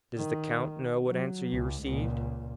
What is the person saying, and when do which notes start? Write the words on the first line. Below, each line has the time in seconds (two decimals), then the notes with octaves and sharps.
"Does the count know what answer you received?"
0.17 D#3
1.07 F#3
1.50 C#2
1.84 C#2 A#2